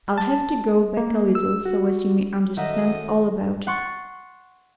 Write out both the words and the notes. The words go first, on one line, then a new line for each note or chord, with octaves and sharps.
I'll have to go back a little so as you may understand all about it.
A5
A#3
E6
F#4
F#2 D#3 A4 D#5 E5 F#5 A#5
F#5 C6 C#6 A6